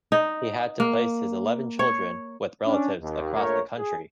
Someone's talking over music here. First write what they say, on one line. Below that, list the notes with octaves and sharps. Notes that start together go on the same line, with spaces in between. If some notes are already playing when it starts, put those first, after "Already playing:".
He had to place his eleven children with relatives across the country.
D#4
A#3
C#5
C#4 D4
D#2
A#1 F3 A3 A#4 C#5
G#4